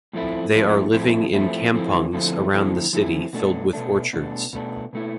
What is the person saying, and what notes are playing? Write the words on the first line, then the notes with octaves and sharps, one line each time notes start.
They are living in "kampungs" around the city filled with orchards.
A2 F3 A3 C4 E4
A2 F3 A3 C4 E4
A2 F3 A3 C4 E4
A2 F3 A3 C4 E4
D3 F3 A3 C4 E4
D3 F3 A3 C4 E4
D3 F3 A3 C4 E4
D3 F3 A3 C4 E4
B2 A3 D4
B2 A3 D4
B2 A3 D4
B2 A3 D4
B2 A3 E4